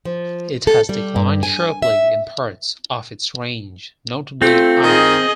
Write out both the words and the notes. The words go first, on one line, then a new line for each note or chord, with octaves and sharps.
It has declined sharply in parts of its range, notably Ireland.
F3
A4
G3
G2
G#5
E5
A3 C4 F4
D#3 G#4 D#5